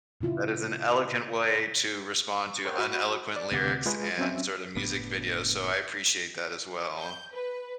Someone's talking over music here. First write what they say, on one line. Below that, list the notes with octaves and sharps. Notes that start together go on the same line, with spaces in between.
That is an eloquent way to respond to uneloquent lyrics and sort of music videos, so, I appreciate that as well.
A#2 C#3 E4 F4
A#4 C5 C#5 F#5 G5
F#4 B5
D5
D2 C3 F#5 D6
G#3 F4 G#4 B4
F#3 C4 C#4 E5
F#1 A2 B3 D4
G6
B4